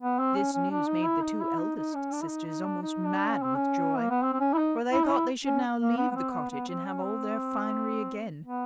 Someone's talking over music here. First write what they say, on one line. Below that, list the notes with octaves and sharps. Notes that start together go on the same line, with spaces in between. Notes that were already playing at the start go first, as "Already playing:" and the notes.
This news made the two eldest sisters almost mad with joy; for they thought they should now leave the cottage, and have all their finery again.
B3
C4
C#4
C#4
D4
D#4
E4
D#4
E4
D#4
D#4
C#4
D4
E4
D#4
D#4
D4
D#4
D4
C#4
C4
C#4
A#3
B3
C4
C4
C#4
E4
D#4
E4
D#4
E4
C#4
A#3
B3
B3
C4
B3
B3
C4
C#4
C4
B3